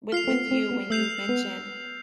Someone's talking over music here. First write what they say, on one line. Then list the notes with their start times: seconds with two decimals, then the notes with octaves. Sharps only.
with with you, when you mentioned,
0.12 F4 F6 C7 F7
0.27 C4
0.32 B3
0.51 C4
0.71 B3
0.90 A3 E6 G6 C7 F7
1.29 B3